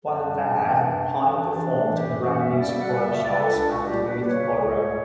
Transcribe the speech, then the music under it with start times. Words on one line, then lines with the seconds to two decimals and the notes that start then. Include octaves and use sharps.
While there, Pyke performed and ran music workshops at the youth forum.
0.06 F#2 D4
0.22 G3
0.38 F#2
0.54 E3
0.70 F#2
0.86 F#2
1.02 F#2
1.17 E3
1.34 E3 D4
1.49 E3
1.65 G3
1.81 E3
1.96 F#2 G4
2.12 E3
2.18 F#4
2.28 F#2 F#5
2.39 E5
2.44 G3
2.59 C#3 D5
2.75 G3
2.81 F#5
2.91 G3 F#5
3.01 E5
3.07 C#3
3.23 C#2 D5
3.32 B4
3.39 C#2 A4
3.54 C#2 D4
3.70 C#2 F#4
3.86 G3 G4
4.02 C#2
4.07 B4
4.18 G3
4.28 C#5
4.34 C#3
4.49 C#2
4.65 C#2